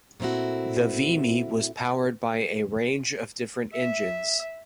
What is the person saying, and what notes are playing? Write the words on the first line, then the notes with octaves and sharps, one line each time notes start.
The Vimy was powered by a range of different engines.
A#2 A3 C4 E4 F#4
E5